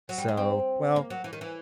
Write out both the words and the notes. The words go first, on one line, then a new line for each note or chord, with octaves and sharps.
so, well,
F#3
G3
G#3
C4
A#3
F#3
E3
D#3
E3